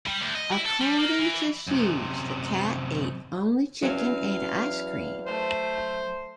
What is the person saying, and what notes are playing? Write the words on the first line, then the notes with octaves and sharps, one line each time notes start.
According to Hughes, the cat ate only chicken and ice cream.
G3
D2
D#5
E4
A4
G3
A#3
E3
F#2 C3
E2 F#3 C#4 F5
A3 C5